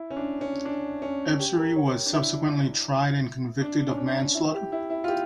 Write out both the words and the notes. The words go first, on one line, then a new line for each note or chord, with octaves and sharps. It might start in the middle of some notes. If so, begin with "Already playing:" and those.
Ebsary was subsequently tried and convicted of manslaughter.
Already playing: E4
C#4
D4
C#4
D4
C#4
G4
A#4
C#5
D4
E4
D4
C#4
D4
E4
G4
E4
E4
F4
G4